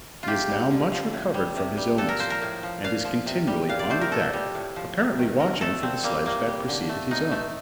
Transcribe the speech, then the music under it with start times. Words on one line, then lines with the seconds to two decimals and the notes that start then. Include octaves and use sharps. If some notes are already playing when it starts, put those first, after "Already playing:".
He is now much recovered from his illness and is continually on the deck, apparently watching for the sledge that preceded his own.
0.23 C3 F4 G4
0.49 G3
0.71 D3
0.92 F3
1.13 A2
1.34 G3
1.56 C3
1.77 G3
1.98 A#2 A4
2.09 A#4
2.19 F3 C5
2.30 A#4
2.42 A2
2.63 F3
2.84 A#2 F5
3.05 F3
3.26 C3
3.47 G3
3.69 A#2 F5
3.79 D5
3.90 A3 C5
4.01 A#4
4.11 A#2 A4
4.33 G3
4.54 A2
4.76 F3
4.97 C3
5.19 D#3
5.39 D3 A#4
5.61 A3 A4
5.82 A#2 C4
6.03 G3 A#3
6.25 A2 A#3
6.47 G3
6.68 D3
6.89 A3
7.11 A2 D#4
7.31 A3